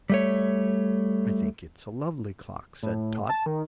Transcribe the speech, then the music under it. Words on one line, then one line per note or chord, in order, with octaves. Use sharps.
"I think it's a lovely clock," said Tot.
G3 A3 C#5
A2
A5
D#3